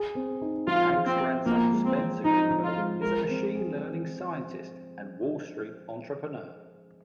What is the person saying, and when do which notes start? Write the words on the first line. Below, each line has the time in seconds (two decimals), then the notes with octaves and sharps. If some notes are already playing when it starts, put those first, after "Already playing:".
Hank's grandson Spencer Greenberg is a machine learning scientist and Wall Street entrepreneur.
Already playing: G#4
0.15 C4
0.42 D#4
0.67 F3 F4
0.93 G#4
1.07 C4
1.20 C4
1.46 F3 A#3
1.72 G#3
1.85 C4
1.98 C4
2.25 F3 D#4
2.51 F3
2.63 F4
2.77 G#3
3.02 G#3 A#4
3.29 C4
3.55 G#4